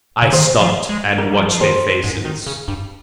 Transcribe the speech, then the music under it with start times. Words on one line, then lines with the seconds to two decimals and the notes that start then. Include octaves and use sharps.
I stopped and watched their faces.
0.22 C#3
0.32 D#3 C5
0.61 F3
0.89 G#3
1.18 G3 A#4
1.33 G3
1.40 F3
1.52 F3
1.61 D#3 C5
2.04 G#2
2.25 D#3
2.47 C#3
2.68 G2